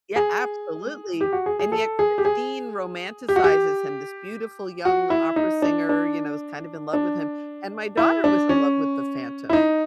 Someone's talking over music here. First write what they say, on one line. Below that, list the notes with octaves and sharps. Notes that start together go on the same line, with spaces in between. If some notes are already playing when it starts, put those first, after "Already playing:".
Yeah, absolutely! And yet Christine romanticizes him, this beautiful young opera singer, you know, is kind of in love with him. And my daughter was in love with the Phantom,
G#4
G4
F#4
G#4
G#4
A4
G#4
G4
G#4
G4
F#4
G4
F#4
E4
D#4
D4
D4
D4
E4
D4
C#4
E4
D#4